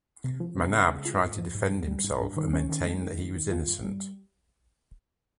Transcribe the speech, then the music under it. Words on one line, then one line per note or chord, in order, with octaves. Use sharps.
Manav tried to defend himself and maintained that he was innocent.
C3
F3
C3
C#3
G#3
F4
G#2
F3
G#2
G#2
G3
G#2
G2
D#3
C#4
D#3
G#3
D#3
G#2
D#3
F4
G2
G3